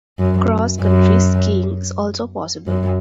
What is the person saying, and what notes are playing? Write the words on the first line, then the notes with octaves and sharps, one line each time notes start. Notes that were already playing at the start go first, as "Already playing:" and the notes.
Cross country skiing is also possible.
F#2
F#2
F#2